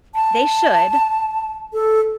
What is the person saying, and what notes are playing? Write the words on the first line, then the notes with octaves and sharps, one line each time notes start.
They should,
A5
A4